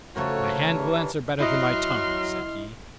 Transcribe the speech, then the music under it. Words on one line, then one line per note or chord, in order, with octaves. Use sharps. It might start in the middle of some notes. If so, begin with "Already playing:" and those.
'My hand will answer better than my tongue,' said he.
C#3 F3 A3 B3 F#4 A4 A#4 C#5
G2 E3
F#3 E4 D#5 C6 F6